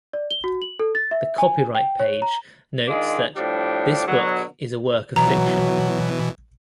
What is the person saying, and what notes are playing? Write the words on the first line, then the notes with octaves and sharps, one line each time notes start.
The copyright page notes that "This book is a work of fiction".
D5
G7
F#4
F#7
A4
A6
E5
G#5
G5
C#5
A#5
D#3 G#3 D4 F4 G#4
A2 F3 G3 D4 G4
B2 D3 F#3
B2 E3 F#3 A#5